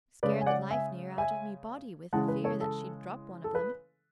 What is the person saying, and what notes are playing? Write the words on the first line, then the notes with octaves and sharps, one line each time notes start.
Scared the life near out of me body with the fear that she'd drop one of them.
C#3 G#3 C#4 B4 D5
G#5
D5 F#5
E5 G#5
E5 G#5
C#3 E3 G#3 C#4 F#5 A5
B4
A4 C#5
A4
A4
B4